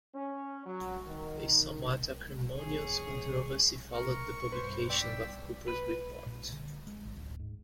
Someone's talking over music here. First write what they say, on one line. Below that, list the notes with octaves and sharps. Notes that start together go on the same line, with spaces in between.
A somewhat acrimonious controversy followed the publication of Cooper's report.
C#4
F#3
D#3
E2 G#4 C#5
A#4 C#6
G2 B2 B4 C5
D5 G5 E6 B6
B4
A#2
D3
G#3
G#1
D1
G#2